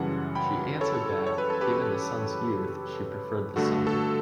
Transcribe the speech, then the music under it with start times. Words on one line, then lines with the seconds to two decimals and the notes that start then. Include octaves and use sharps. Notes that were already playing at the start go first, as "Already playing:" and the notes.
She answered that, given the son's youth, she preferred the son.
Already playing: F#2 C#3 E3 G3 F#5 A5
0.35 G5 B5
0.81 A4 C#5
1.27 C#5
1.38 B4
1.50 A4
1.61 G4 B4
3.56 G2 D3 A3 F#4 A4
3.87 F#4 A4